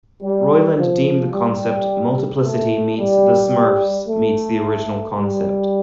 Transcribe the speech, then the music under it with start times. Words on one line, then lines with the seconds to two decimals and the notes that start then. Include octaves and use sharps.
Roiland deemed the concept "Multiplicity" meets "The Smurfs" meets the original concept.
0.22 G3
0.78 F3
1.33 G3
2.43 A3
2.98 G3
4.08 A3
5.20 G3